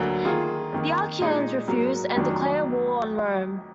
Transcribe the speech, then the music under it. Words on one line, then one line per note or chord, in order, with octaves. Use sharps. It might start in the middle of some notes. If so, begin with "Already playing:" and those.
The Achaeans refused and declared war on Rome.
Already playing: D2 D3 F#3 A#3
D#3 A#3 F4 G#4
F2 D#3 A#3
A#2 G#3 D#4 G#4 D5
G#2 F#3 A#3
F1 F2 D#3 F#3 D4